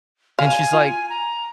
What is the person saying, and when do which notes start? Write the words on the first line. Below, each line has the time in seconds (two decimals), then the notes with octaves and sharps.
And she's, like,
0.39 F5 G#5
0.73 F4
1.10 A#5